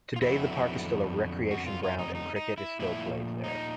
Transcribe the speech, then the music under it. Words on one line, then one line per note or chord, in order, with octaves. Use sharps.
Today the park is still a recreation ground and cricket is still played there.
F4
F2 D3 F#3 B3 E4
F#4
F4
F4
D#4
D#4
D#4
E4
A#2 F3 A3 E4
D#4